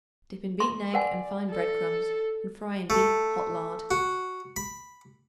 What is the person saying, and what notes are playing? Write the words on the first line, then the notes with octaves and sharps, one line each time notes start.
Dip in beaten egg and fine bread-crumbs and fry in deep hot lard.
C6
A#4 D5 F#5 G#5
A4
A3
F#4
B5